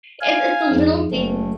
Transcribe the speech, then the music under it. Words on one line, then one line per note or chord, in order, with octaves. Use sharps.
It's it's the little things
F5 G#5
F2 G#2
F#1 A3